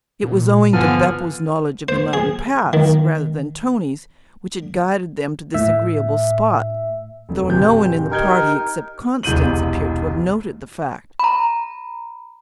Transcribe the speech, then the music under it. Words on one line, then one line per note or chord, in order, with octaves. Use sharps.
It was owing to Beppo's knowledge of the mountain paths rather than Tony's which had guided them to this agreeable spot; though no one in the party except Constance appeared to have noted the fact.
A#2
G2 D3 F3 B3 G#5 F6
C5
G#4
D#3
A2 E5
F1
D1 C3 G6
D#4 G4 A#4 G#6 G7
E1 C2 G6 D#7 F#7
A#5 B5